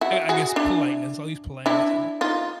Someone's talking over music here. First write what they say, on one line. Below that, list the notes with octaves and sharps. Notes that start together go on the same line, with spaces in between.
I I guess, politeness- I'll use politeness here-
E4 F#4
F#4 G#4
D4 E4
D4 E4
D#4 F4